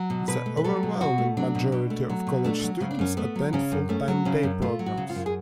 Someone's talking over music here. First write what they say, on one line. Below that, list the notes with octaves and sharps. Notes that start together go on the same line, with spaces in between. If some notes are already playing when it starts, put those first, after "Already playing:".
The overwhelming majority of college students attend full-time day programs.
Already playing: F#3
B2
B2 B4
A3
B4
F#3 A4
B2
B2 F#4
A3
F#3 D4
B2
B2
A3
F#3
B2
A3 D4
F#3
C#3 C#4
D4
F#2 C#4
A3 B3
F#3
C#3 C#4
F#2
A3 C#4
F#3
C#3 C#4
F#2
A3 F4
F#3
F#4
C#3
F4
F#2
G#4